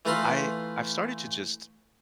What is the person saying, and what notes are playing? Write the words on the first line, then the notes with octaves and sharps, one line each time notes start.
I I've started to just
E3 A3 F4 B4 A#5 C6